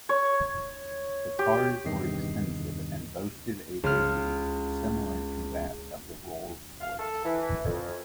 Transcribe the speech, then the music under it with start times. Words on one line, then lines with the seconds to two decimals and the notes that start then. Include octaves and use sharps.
The cars were expensive and boasted a radiator similar to that of the Rolls-Royce.
0.09 C#5
1.39 G4
1.84 E2 G2 C3 D#3 D#5 C7
3.83 C#2 F6
6.81 F5
6.99 A4
7.25 E3
7.65 F2